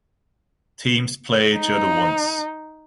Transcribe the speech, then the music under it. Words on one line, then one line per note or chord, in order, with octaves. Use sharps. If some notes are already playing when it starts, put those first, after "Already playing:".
Teams play each other once.
D#4